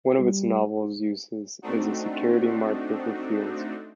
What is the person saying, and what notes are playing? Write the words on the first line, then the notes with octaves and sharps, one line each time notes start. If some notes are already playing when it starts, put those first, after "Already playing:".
One of its novel uses is a security marker for fuels.
G3
A3 C4 D4 D#4 F#4